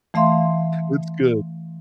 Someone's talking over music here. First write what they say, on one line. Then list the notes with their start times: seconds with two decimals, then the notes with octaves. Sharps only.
it's good.
0.14 E3 A3 E5 F5 C6